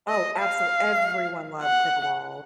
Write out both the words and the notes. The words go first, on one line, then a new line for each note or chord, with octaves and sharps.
Oh, absolu everyone loves pickleball.
D#5
F5
F#5